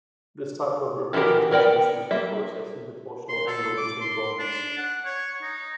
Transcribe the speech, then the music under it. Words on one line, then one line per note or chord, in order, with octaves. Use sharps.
This type of representation is useful for assessing the torsional angle between bonds.
D#3 E3 F#4 G4 A#4
B3 A#4 D5 G5
G3 A#3 E5
C6
A4
D6
C6
D4
F#5
C#5
D#4